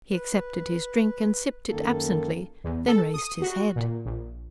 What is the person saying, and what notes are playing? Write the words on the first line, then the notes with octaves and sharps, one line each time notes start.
He accepted his drink and sipped it absently, then raised his head.
B4
F#2 D#3 A#3 A4
E2
A4
D#6
F#4
A#2
A#1